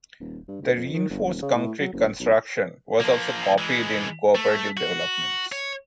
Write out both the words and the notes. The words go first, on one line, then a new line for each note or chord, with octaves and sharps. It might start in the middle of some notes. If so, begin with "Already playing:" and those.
The reinforced concrete construction was also copied in cooperative developments.
D#1
G2
D2
F2
D#3
G1
D#1
C#3
A2
F#3
F#1
B1
F3 A#3
E3 G#3
A3
F#4
C#5